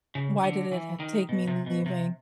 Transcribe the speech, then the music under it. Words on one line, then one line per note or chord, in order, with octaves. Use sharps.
why did it t take me leaving
C#3
D3
E3
D#3
B2
C3
B2
C3